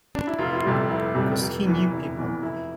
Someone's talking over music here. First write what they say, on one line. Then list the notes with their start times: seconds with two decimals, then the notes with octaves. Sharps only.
'Cos he knew people.
0.15 D4
0.27 E4
0.38 F1 F4
0.49 E4
0.55 F4
0.64 F2 C3 G3
0.89 F1 E4
1.15 F2 C3 G3
1.40 F1
1.66 E2 E3
1.91 F1 E4
2.18 E2 E3
2.42 F1 E4